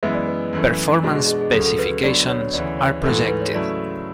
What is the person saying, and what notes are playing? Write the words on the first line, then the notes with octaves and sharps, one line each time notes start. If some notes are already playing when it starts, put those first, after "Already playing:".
Performance specifications are projected.
F#2 E3 G#3 B3 E4 E5
D5
B4
F#2 E3 A3
B2 G#3 D4 F#4
G#4
G#4
G#4
D2 C#3 F#3 A4
A4
B4
D3 F#3 B3 D5
C#5
C#5
D2 C#3 E3 D5
C#5
G#2 E3 A3 A4
A4
B4
C#5
C#3 F#3 A3 E4 D5